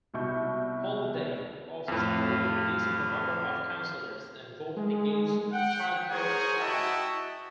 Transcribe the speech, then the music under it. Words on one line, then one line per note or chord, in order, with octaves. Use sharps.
Holyday also supported reducing the number of councillors, and voted against childcare subsidies.
C2 B2 E4 C#6 G6
F2 A2 F5
G#3
F#5 G5
G#4 A#4 C5 C#5 F#5 G#5
E4 F#4 D#5 E5 G5 A5